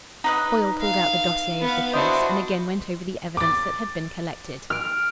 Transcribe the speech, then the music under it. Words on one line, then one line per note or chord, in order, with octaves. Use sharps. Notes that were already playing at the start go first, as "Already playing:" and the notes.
Foyle pulled out the dossier of the case, and again went over the evidence that had been collected.
D#4 B4 F#6
F5
B3 F5
D4 E4 F#4 C5 D#5 G6
D6 A6
F6 D7